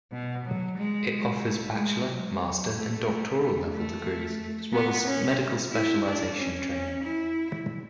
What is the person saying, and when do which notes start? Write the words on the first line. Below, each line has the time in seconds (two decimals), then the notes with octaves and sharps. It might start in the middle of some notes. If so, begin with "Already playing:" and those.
It offers bachelor, master, and doctoral-level degrees, as well as medical specialization training.
0.13 B2
0.46 F#3
0.78 G#3
1.44 A3
1.77 G#3
2.10 F#3
2.43 F#3
2.76 A3
3.09 A3
3.74 A3
4.73 B3
5.07 C#4
5.72 E4
6.05 D4
6.38 C#4
6.71 C#4
7.04 E4